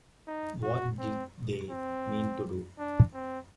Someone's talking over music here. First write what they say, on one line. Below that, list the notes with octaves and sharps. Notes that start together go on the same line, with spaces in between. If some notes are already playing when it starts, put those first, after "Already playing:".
What did they mean to do?
D#4
F#4
C4
C4
D4
C4